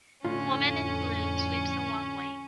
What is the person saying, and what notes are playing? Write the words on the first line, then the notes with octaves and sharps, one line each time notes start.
Woman in blue sweeps a walkway.
F2 A2 D3 C#4 F4